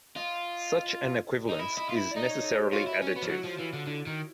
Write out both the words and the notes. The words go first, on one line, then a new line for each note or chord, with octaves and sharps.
Such an equivalence is necessarily additive.
F4 D#5
D#4
E4 D#5
E4 D#5
F4 E5
E4
D#4 D5 D#5
C#5
A4
G4
F4 F#4
E4
C#4
B3
F3
F#3 E4
F3
E3 F4
D3
D3 E4
D#3